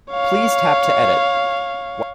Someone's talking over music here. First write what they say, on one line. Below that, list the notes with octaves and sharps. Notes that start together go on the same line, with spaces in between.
Please tap to edit.
C#5 F5